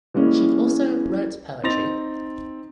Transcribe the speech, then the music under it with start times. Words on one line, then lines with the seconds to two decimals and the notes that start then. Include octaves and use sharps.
She also wrote poetry.
0.14 E3 G3 G#3 A#3 C#4
1.63 C4 D#4 C6 A6 A#6 F7